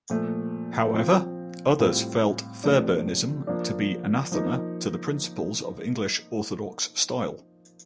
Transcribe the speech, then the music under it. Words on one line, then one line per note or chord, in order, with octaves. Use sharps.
However, others felt Fairbairnism to be anathema to the principles of "English Orthodox" style.
A#2 F3 A3
F3 C4 F4
A2 G3 C4 F4
C3 F3 A3 D4
F3 A#3 D4
F3 A#3 D#4